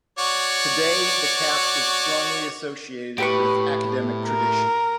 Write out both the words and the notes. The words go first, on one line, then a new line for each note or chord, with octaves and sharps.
Today the cap is strongly associated with academic tradition.
F#4 C#5 D5
A2 G4 B4 C#6
A#4